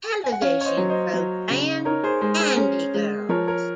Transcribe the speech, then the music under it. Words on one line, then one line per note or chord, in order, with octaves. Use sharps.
Television program "Candy Girls".
G#5
F#5
C#4 C#5 F5
C#5
C5 D#5
F#3
C5 D#5
F#3
C#3
D#4 A#4 C#5
G#4 C5
G#3 G#4 C5
G#4 C5
C#4
G#3
F3 A#4 C#5
A#4 C#5